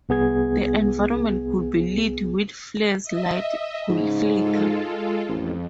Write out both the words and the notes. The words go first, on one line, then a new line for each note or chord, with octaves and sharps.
The environment could be lit with flares, lights could flicker.
C2 B3 G#4 G#6
D#5 E5
G#2 C#3
G#3 F4 A4
A1 F2